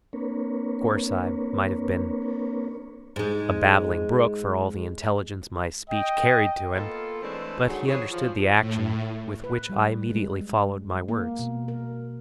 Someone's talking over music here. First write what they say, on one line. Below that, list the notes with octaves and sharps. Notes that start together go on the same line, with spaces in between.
Of course I might have been a babbling brook for all the intelligence my speech carried to him, but he understood the action with which I immediately followed my words.
A#3 C4 D4 A#4 B4 C#5
G#2 G#3
D#5 G5
A#3 B3 F4 A4
E3 G#3 A3 C4 D4 B4
G#2 D3 D#3 F#3 G#3 F#4
E3 F3 G#4 C#5
F3
A2
B4
G3
G#3
A#3
B2
A#4